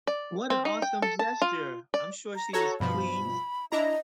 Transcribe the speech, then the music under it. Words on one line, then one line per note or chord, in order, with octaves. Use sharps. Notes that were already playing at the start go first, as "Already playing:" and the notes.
what an awesome gesture, I'm sure she was pleased.
D5
C4
D#4
G5
A4
A5
F4
D5
A#5
F#4 A4 C#5 A#5
G2 B2 F3 B5
D4 E4 D#5 A#5